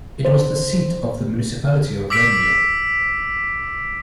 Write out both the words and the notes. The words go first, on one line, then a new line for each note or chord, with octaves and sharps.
It was the seat of the municipality of Vermio.
C5
D6 E6 B6 D7